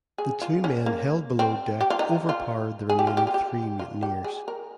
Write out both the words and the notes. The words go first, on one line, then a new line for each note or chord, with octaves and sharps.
The two men held below deck overpowered the remaining three mutineers.
G#4
F4
C#4
A#3
C4
G4
F4
D#4
F4
G#4
G4
F4
G4
F4
G4
F4
G4
G#4
A#4